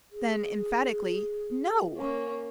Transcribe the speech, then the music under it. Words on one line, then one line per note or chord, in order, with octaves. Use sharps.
Then, emphatically, "No!"
G#4
A#3 C#4